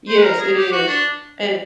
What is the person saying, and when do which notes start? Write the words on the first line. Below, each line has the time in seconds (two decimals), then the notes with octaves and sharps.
Yes, it is, and
0.08 C5
0.17 B4
0.24 A#4
0.40 G#4
0.56 G4
0.72 F#4
0.88 D4